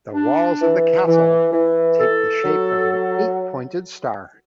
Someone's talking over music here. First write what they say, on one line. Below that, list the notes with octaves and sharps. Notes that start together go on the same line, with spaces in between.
The walls of the castle take the shape of an eight-pointed star.
D4
E3
E3
E3
A4
F#3
A4